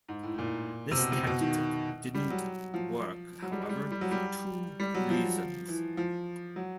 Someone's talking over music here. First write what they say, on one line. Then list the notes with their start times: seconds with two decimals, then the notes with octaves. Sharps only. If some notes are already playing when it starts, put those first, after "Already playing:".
This tactic didn't work however, for two reasons.
0.08 G#2
0.23 A2
0.34 A2
0.38 A#2
0.91 C3
0.97 B2
1.12 C3
1.27 B2
1.41 D#3
2.14 G3
2.30 F#3
2.74 F3
3.42 F#3
3.52 G3
3.62 G#3
3.69 G3
3.92 G3
4.01 F#3
4.11 G3
4.80 G3
4.95 F#3
5.10 F3
5.68 E3
5.97 F3
6.56 F#3